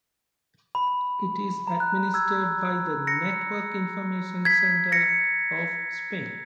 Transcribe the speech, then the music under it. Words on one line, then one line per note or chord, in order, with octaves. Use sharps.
It is administered by the Network Information Centre of Spain.
B5
A#5
F#6
E6 G#6
A#6 C#7
G#6 B6
A#6 C#7